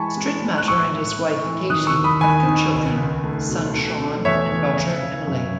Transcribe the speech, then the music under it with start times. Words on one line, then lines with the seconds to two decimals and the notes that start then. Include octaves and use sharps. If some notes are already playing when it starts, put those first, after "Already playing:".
Strittmatter and his wife, Katie, have two children, son Sean and daughter Emily.
Already playing: E3 G#3 G#5 A5 B5 C#6
0.17 G#3
0.42 G#3
0.58 F#6
0.68 A2 C#6 E6
0.94 A2
1.19 A2
1.44 E3
1.70 D#3 D#6 F#6
1.87 C#6 E6
1.96 D#2
2.04 B5 D#6
2.21 D#2 G#5 B5
2.47 D#3
2.72 C#2
2.97 C#2
3.23 A3
3.49 B2
3.74 A3
3.99 A3
4.25 E2 C#5 E5
4.51 E2
4.76 C#3
5.02 C#3
5.27 F#2